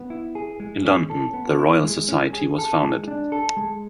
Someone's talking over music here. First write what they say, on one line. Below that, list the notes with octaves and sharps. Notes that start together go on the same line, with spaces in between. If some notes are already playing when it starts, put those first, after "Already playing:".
In London, the Royal Society was founded.
Already playing: B3
E4
G#4
G#3
C#4
A4
B3
E4
G#3
C#4
G#4
A4
G#3
D4
A4
G#3